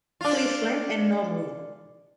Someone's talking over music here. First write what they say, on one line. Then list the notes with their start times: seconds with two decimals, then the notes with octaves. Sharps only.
Cleveland and Norwood.
0.21 D4 F4